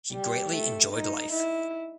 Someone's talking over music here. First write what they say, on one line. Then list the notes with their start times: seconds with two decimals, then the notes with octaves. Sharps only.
He greatly enjoyed life.
0.12 G3
0.53 A3
0.93 D#4
1.32 E4